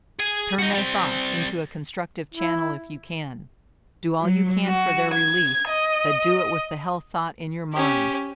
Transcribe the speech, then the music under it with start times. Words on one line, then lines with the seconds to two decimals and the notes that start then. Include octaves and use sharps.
Turn their thoughts into a constructive channel if you can; do all you can for their relief, but do it with the health thought in your mind.
0.19 G#4 G#5
0.59 D#4 F#4
0.74 G3 C4
2.34 E4
4.20 F#3
4.66 F#4
5.13 G#6
5.68 D#5
7.73 C#4 G4